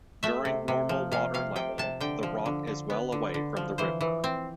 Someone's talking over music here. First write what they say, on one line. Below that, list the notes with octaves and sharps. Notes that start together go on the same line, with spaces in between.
During normal water level the rock is well away from the river.
A3 E5
C3
C3
F3
C3 F5
C3 F5
C3 G5
C3 A5
D3 G5
F3
D3
D3
B3
D3
D3
F3
E3 C5
E3
C4